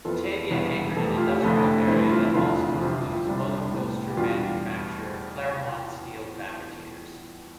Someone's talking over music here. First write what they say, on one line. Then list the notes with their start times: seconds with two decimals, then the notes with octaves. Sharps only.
Batavia anchored an industrial area that also includes rollercoaster manufacturer Clermont Steel Fabricators.
0.05 F2 E3 B3 E4 F4 A4
0.51 E1 E2 C3 G3 B3
0.96 F2 E3 A3 A4
1.07 G4
1.17 F4
1.27 E4 G4
1.42 F1 F2 D3 A3
1.87 G2 E3 A3 C4 E4
2.11 F4
2.25 E4
2.34 F1 E2 D3 F3 C4 F4
2.79 G1 F2 C3 F4
3.25 C2 C3 G3 D4
3.71 A2 G3 B3
4.10 G4
4.16 E2 B2 G3 D4 F4